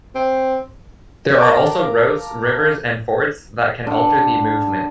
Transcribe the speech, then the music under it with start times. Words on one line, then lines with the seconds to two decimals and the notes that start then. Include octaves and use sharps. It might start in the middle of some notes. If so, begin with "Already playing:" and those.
There are also roads, rivers, and fords that can alter the movement.
0.15 C4
1.41 A#4 F5 A5 A#5 D6
3.87 D3